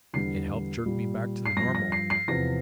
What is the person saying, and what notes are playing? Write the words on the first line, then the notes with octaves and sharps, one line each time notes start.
It helped jerk me back to the normal.
E2 D3 G3 C7
A#2 G3
C7
G2 F3 A#6
A#6
C7
C7
E2 C3 F3 A#6